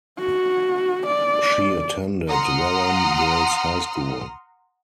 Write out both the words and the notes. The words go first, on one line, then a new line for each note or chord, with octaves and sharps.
She attended Welham Girls High School.
F#4
D5
F#5 A#5 C6 D#6 F6